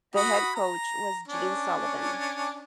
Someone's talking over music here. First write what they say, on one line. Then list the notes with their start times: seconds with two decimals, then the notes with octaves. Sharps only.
The head coach was Gene Sullivan.
0.16 F#4 B5 D#6
0.56 A#5
1.28 C#4 D4